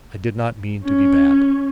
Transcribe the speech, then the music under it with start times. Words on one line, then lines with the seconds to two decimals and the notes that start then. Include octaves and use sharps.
I did not mean to be bad.
0.84 C#4